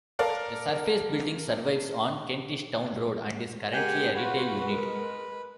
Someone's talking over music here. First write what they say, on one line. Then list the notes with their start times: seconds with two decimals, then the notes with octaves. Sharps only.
The surface building survives on Kentish Town Road and is currently a retail unit.
0.19 A4 A#4 D5 F5
3.73 G#3 G4 A#4 F#5 G#5
4.14 F4 F#4 B4
4.65 G#3 A#4